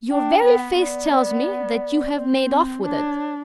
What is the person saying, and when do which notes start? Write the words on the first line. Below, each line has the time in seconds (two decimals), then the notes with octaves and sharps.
"Your very face tells me that you have made off with it."
0.10 D4 G5
0.45 B3
0.78 B3 D5
2.15 C4
2.83 D4 C#5